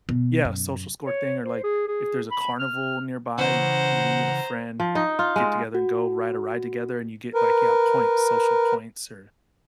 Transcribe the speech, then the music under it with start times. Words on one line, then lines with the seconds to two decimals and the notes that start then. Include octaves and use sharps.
Yeah, social score thing or, like, if there's a carnival nearby, you you and a friend n get together and go ride a ride together and you get, like, yeah, points, social points or
0.09 B2
0.45 F#2
1.06 C#5
1.43 C5
1.64 G#4
1.88 G#4
2.31 B5
2.59 F6
3.38 C#3 E3 C#4 C5 F#5 A#5
4.80 F3
4.95 D#4
5.19 F4
5.36 G#3
5.75 F#4
7.34 A#4 B4